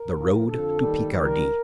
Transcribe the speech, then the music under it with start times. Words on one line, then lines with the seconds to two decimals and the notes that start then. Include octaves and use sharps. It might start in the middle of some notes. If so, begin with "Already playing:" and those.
The Road to Picardy.
Already playing: A#4
0.16 A2 F3
0.48 F2 D3 F3 A4
0.81 D#2 D#3 G3
1.14 D#2 D#3 G3 A#4